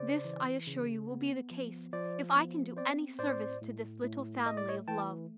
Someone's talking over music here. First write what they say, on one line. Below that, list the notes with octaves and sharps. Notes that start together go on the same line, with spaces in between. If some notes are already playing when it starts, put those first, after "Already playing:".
This, I assure you, will be the case, if I can do any service to this little family of love.
Already playing: C#3 C5 D5
E3
C#3
B3
F3
F3 C5 D5
B3
C4 C5 D5
A2 C5 D5
A2
A2
A3 D#5
D5
C#5 D#5
E3 G5 A5